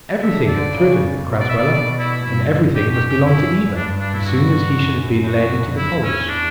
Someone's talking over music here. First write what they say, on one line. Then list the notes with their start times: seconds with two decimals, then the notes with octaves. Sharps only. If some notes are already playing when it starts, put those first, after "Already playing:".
Everything had thriven with Crasweller, and everything must belong to Eva as soon as he should have been led into the college.
0.22 D3 E5
0.48 D5
0.73 C#3
1.24 B2
1.40 D5
1.49 E5
1.58 D5
1.73 D5
1.99 E4
2.24 G2 E4
2.75 F#2 G4
2.92 G4
3.09 G4
3.25 E4
3.76 G2 D4
4.01 D4
4.14 E4
4.27 F#4
4.76 F#2
5.27 F#4
5.77 E2 E4
6.03 C#4
6.28 D4